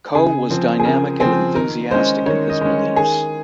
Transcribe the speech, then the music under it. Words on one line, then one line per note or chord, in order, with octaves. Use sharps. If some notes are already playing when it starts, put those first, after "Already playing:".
Coe was dynamic and enthusiastic in his beliefs.
C#3 G#4
F3 C4
G#4
C#3 A#4
F3 C4 G#4
D#3 A#4
G#3 C#4 C5
D#3 C#5
D#5
G#3 C#4
D#3 G#4